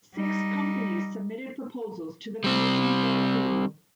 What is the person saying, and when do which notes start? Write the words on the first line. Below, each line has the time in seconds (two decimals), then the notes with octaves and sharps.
Six companies submitted proposals to the commission for approval.
0.15 G3 D#4
2.44 G3 C4